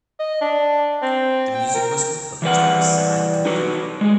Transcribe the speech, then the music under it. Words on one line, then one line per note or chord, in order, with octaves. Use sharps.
The music was composed by Sai Karthik.
D#5
D4
C4
G5
A#4
E3 G3 B4 F#5
D#4 F#4 B4
G#3 G#4